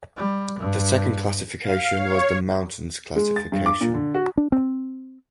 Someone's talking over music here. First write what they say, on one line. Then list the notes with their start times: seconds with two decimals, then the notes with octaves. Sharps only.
The second classification was the mountains classification.
0.17 G3
0.59 G2
1.62 F5
1.96 C#5
3.16 G#3
3.36 A6
3.52 G2
3.66 D6
3.81 A#2
3.94 D3
4.14 F#4
4.37 D4
4.52 C4